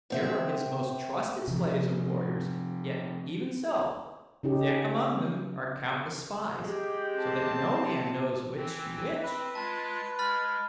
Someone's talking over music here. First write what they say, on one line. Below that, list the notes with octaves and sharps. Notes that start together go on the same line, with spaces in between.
Here are his most trusted slaves and warriors, yet even so, thick among them are countless spies, so that no man knows which be which.
B2 C4 E5
C3 F3
C#3 C#4 D#4 G4
G#3 G4
C4 A5
E3 C4
C4 B4
G#3 F4 A5
G#3 B5 F6 A6